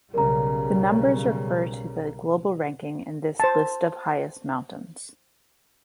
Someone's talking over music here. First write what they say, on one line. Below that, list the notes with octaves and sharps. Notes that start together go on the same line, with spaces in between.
The numbers refer to the global ranking in this "List of highest mountains".
B1 C#3 G3 A#4 A#5
C5 A5